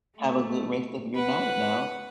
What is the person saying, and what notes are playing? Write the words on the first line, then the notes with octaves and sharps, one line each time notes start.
Have a good rest of your night now.
A3
B4 F#5